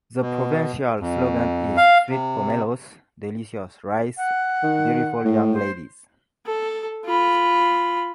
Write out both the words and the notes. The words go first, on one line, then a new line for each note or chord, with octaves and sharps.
The provincial slogan is "Sweet pomelos, delicious rice, beautiful young ladies".
B2
F2
F5
C3
F#5
D#3
A2
C5
A4
F4 B5